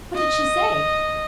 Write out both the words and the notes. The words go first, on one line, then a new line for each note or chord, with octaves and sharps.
"What did she say?"
D#5